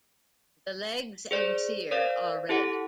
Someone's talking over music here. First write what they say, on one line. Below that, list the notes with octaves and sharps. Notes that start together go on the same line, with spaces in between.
The legs and cere are red.
G#4 C5 D5
A#4 C5 D5 F5
E4 G4 A4 F#5